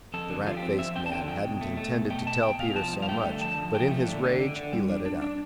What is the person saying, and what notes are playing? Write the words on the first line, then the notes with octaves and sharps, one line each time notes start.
The rat-faced man hadn't intended to tell Peter so much, but in his rage he let it out.
F2 A4
D3
F3 F4
G4
C4
F3 E5
C4 G5
A5
D3 G5
F3 G5
B2
A3
A3
B2
A3 G5
B2 A5
B2 G5
B2 F5
F3 A5
G2
F5
A3 G5
D3
F3 A5
F3
F3 G5
A3
D3
D3
D3
D3
G3
D4
D4
D4